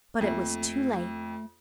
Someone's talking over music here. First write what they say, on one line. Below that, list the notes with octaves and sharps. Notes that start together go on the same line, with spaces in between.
But it was too late.
F2 A3 A#3 E5